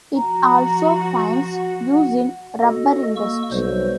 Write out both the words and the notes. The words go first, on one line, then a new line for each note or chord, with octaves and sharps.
It also finds use in rubber industry.
F3 F#4 A#5
F#5
F#4 A4 D#5
A#3 C#6 E6
B1 F#3 G3 C5